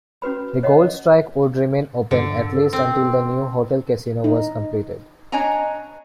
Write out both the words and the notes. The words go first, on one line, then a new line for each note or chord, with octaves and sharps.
The Gold Strike would remain open, at least until the new hotel-casino was completed.
C#4 F#4 B4 B5
C#5 D#5 F#5
G2 D3 A4
C4
D#4
D4 C#5 D#5 G#5 A#5